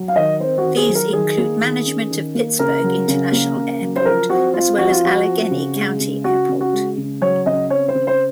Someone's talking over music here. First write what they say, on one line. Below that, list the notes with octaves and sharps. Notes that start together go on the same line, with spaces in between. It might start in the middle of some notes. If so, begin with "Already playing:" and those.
These include management of Pittsburgh International Airport as well as Allegheny County Airport.
Already playing: F#3
F5
D#3 D#5
C4 C5
F#4
D#3
G#4
F#3
A#4
D#3 G#4
A#3
D#3
C#4
D#3
A#3
C#3 A#4
F#3
C#3
A#3
C#3
F#3
C5
F3 A#4
C4 F#4
C4 F4
F3 F#4
F4
F3 F#4
C4
C#3
G#3
C#3
C#4 F#4
C#3
F#4
G#3
C#3
F#3 C#5
C#3 D#5
C4 C#5
C5
C#3
C5